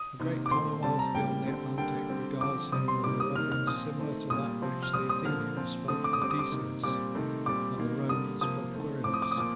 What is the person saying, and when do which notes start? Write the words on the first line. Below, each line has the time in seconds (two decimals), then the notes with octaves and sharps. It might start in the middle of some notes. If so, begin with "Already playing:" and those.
A great commonwealth beyond the Atlantic regards him with a reverence similar to that which the Athenians felt for Theseus, and the Romans for Quirinus.
Already playing: D#6
0.20 C3 D#3 A#3
0.46 D6
0.51 A#2 A3 C4 C6
0.83 C3 G3 C4 A5
0.99 A#5
1.15 A2 G3 A#3 G5
1.46 D3 G3 C4
1.78 D3 G3 A#3 G5
2.09 D3 G3 C4
2.41 D3 F3 C4 D6
2.72 C3 G3 C4 D#6
2.88 C6
3.04 C3 D#3 G3 A#3 D6
3.20 D#6
3.35 C3 D#3 A#3 F6
3.52 F6
3.67 A#2 F3 C4 D#6
3.99 D#3 A3 C4
4.30 A#2 G3 A#3 D#6
4.62 C3 F3 C4
4.83 F6
4.94 A#2 G3 C4 D#6
5.10 D#6
5.25 D3 F3 A#3 F6
5.56 A#2 F3 C4
5.88 D3 A3 C4 D#6
6.04 D6
6.13 D#6
6.20 D3 G3 C4 D6
6.30 D#6
6.39 D6
6.52 C3 D#3 A#3
6.83 A#2 G3 C4 D6
7.15 C3 D#3 A3 C4
7.46 A#2 G3 C4 D6
7.78 D#3 A#3
8.09 D3 G3 A#3 D#6
8.41 C3 F3 A#3 D#6
8.73 D#3 A3 C4
9.04 A2 F3 C4 D6
9.14 D#6
9.22 D6
9.31 D#6
9.36 A#2 F3 A#3 D6